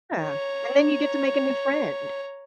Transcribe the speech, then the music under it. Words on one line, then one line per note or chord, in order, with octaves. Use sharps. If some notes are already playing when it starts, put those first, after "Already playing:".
Yeah, and then you get to make a new friend.
C#5 A#5